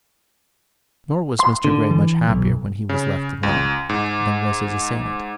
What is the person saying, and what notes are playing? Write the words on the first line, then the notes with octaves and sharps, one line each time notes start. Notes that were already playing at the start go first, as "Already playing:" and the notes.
Nor was Mr. Grey much happier when he was left alone, than was his assailant.
C6
D3
E3
B1
C#3
C#2
G#2